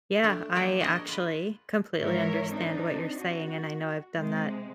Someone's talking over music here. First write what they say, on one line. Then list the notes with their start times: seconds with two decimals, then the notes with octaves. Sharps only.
Yeah, I actually completely understand what you're saying, and I know I've done that
0.24 A3 D4
0.55 F3 A#3 G4 D5 G5
0.80 D4 F#4 G#4 A#4 C5 D#5
1.08 F4 B4
1.97 G#2 E3 A#4 C#5 E5
2.52 C4 D4 D#4
3.20 F#4
4.17 C3 G#3